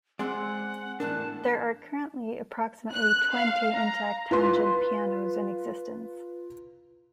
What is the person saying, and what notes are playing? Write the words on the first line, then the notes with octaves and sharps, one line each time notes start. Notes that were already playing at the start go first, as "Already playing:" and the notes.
There are currently approximately twenty intact tangent pianos in existence.
G#3 C4 D5 F#5 G#5 C6
E2 A2 D4 A#4 A5 F#6
F#6
F5
A#5
F4 B4 C6